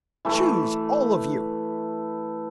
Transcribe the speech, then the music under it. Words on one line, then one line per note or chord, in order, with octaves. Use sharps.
"Choose, all of you!"
E3 A3 B4